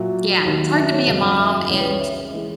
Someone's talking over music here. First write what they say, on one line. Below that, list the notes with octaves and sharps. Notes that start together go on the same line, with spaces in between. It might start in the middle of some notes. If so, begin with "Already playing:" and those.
Yeah, it's hard to be a mom and
Already playing: A#2 F#3 E5
D#2 D#3 F#3
E5
C#5
F#2 C#3 F#3 D#5
F#5
E5
D#5
C#2 C#3 E3 G#3 C#5
B4
C#5
E5
E5
D#5
E3 G#3